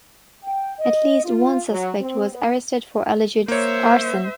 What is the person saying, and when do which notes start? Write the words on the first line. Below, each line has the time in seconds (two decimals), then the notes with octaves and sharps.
At least one suspect was arrested for alleged arson.
0.43 G5
0.79 D#5
1.25 F4
1.70 F#3
2.00 C4
2.32 B3
3.48 A#3 C5 C#5 E5